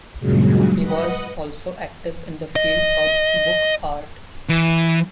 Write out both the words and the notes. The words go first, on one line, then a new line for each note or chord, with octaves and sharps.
He was also active in the field of book art.
G2 A#2 C#3 F#3 G#3
B4 D#5 F#5 D#6
D#5
E3